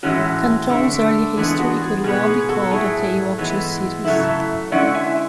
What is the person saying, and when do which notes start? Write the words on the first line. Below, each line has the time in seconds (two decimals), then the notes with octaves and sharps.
Canton's early history could well be called a tale of two cities.
0.03 A2 E3 G#3 C#4 F#4
0.70 D3 A3 D4
1.37 E3 G#3 B3 D4 G#4
1.59 F#4
1.81 G#4
2.04 B2 G#3 B3 G#4
2.26 G#4
2.49 F#4 A4
2.71 A2 F#3 A3 G#4
3.38 E3 G#3 B3
4.05 C#3 F#3 A3 E4
4.72 D3 G#3 C#4 E4 D5 F#5
4.94 E5 G#5